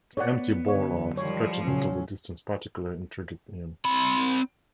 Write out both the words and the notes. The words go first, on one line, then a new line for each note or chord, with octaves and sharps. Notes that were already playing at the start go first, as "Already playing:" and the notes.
The empty bollards stretching into the distance particularly intrigued him.
B3 C#5 D5 F#5
F#2 D3 C#5
D#3 F3 G3 C#5
A#2 C#3 F#3 C#4
C4 B5